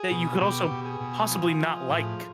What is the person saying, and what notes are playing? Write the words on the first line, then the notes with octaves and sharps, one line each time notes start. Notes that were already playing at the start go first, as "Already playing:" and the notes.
That you could also possibly not like.
Already playing: G#4
B2
B2 G4
B2
G#4
B2
F3
F3
A2